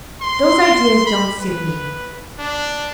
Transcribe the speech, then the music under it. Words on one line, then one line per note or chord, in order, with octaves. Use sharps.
Those ideas don't suit me.
C6
B5
B4
D4